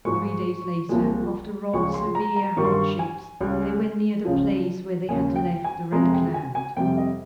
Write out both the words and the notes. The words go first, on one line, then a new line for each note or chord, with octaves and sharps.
Three days later, after rather severe hardships, they were near the place where they had left the Red Cloud.
G#2 F3 G#3 C#6
C2 A#2 F3 G#3
C#2 C#3 F3 G#3 C#6
C6
A#5
A#5
G2 D#3 G3 C#6
C6
C#6
G#5
C#2 C#3 G3
C#2 C#3 F3
D#2 C#3 G#3 G#5
G5
G#5
F2 C3 F3 G#3 A#5
G5
G#5
G#5
F2 C3 G3 G5
D#5